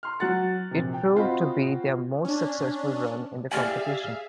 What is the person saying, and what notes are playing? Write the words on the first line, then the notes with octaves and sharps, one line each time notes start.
It proved to be their most successful run in the competition.
A#5 C6 F6
F#3 F#4 F#6 A6 C#7
A#1 C3
G5
C4 F4 F#4 C5 D#5 B5
C#4 D4
G4 G#4 D5 E5 F5 G#5 F6